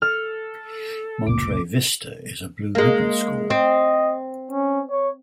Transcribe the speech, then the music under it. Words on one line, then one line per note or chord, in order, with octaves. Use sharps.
Monterey Vista is a Blue Ribbon School.
A4 F6
F1 C#2 A#2 D6
G#3 A#3
C4 D#5
C#4
C#5